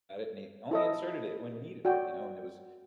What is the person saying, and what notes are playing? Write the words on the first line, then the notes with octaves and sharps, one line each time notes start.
at it, and he only inserted it when we needed it, you know, and it was
E4 A4 D#5
F#4 D5 G5